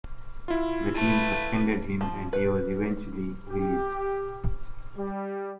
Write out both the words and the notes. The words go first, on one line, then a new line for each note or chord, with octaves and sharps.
The team suspended him and he was eventually released.
E4 F4
A3 B4
F3
B4
G4
G3